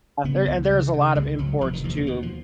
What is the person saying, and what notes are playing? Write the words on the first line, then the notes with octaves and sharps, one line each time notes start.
there and there's a lot of imports too.
C#3 B3
C#2
C#3
C#3
C#2 G#3
C#2 F#3
F1 F3
D#3
D#2 F3
D#3
B2 D#3
F3